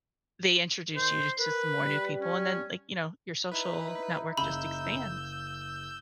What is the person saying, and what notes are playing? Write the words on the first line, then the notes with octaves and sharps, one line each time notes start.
they introduce you t to some more new people, and then, like, you know, your social network just expands.
D#3 C5
A#4 B4
G3
C#4
D#4 E4 B4
F#1 C#3 B5 E6 G6